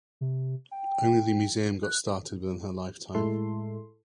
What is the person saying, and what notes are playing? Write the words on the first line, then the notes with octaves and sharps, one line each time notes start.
Only the museum got started within her lifetime.
C3
G5
F#6
A2 G#3 E4 A4 C6